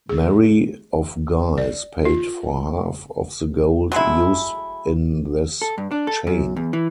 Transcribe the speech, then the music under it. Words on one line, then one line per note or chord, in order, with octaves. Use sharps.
Mary of Guise paid for half of the gold used in this chain.
G#4
D5
F4
F#3 G#3 A3 E4
A4
G2
D4
A4
F#2
E2
E3